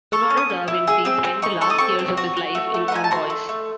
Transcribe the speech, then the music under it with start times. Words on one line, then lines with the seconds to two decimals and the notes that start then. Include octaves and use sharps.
Leonardo da Vinci spent the last years of his life in Amboise.
0.12 A4 C#6
0.30 C#4
0.37 D#6
0.50 C#4
0.68 E4
0.87 G#4 E6
1.05 C4 E6
1.25 C4
1.42 D#4 C#6
1.61 A4 C#6
1.70 D#6
1.79 C4 C#6
1.99 C4
2.17 F#4
2.37 F#4
2.55 A3
2.74 A3
2.88 F#5
2.92 D#4 G#5
3.04 A5
3.11 F#4 C6
3.30 A3
3.49 A3